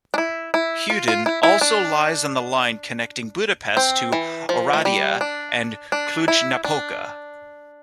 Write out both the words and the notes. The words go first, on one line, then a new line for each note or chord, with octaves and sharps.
Huedin also lies on the line connecting Budapest to Oradea and Cluj-Napoca.
D4
E4
E4
F4
F4
E4
E4
D4
C4
E3
F3
A3
G3
D4
D4
E4
D4